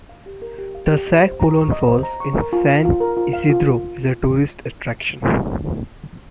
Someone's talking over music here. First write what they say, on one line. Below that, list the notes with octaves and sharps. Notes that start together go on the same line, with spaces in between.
The Sagpulon Falls in San Isidro is a tourist attraction.
F5
G4
A#4
G4
F5
G4
D#5
C5
A#5
C#6
D#5
C5
A#5
C#6
A#4
F4
F5
F4
A#4
F4
F5
F4